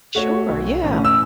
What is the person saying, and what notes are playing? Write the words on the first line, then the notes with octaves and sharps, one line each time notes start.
Sure, yeah.
A3 F#4 C#5
B1
A2 E3 C#4
E6